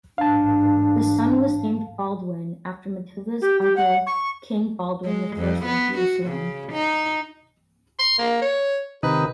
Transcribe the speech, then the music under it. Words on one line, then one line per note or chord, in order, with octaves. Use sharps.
The son was named Baldwin, after Matilda's uncle, King Baldwin the First of Jerusalem.
A1 G#2 D4 F5 A5
G4
G4
F#5
C#6
G#3
F2
B3
F#4
C#3
D#4
C6
A#3
C#5
C3 D#3 D#4 B4